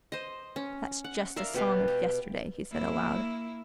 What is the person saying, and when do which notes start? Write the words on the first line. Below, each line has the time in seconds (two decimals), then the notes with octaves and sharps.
"That's just a song of yesterday," he said aloud.
0.12 C5 D#5
0.56 C#4
1.04 F#5
1.36 A#4 D5 E5 F5
1.54 B2 G4 B4 F5
1.88 G4
2.71 A#3 E4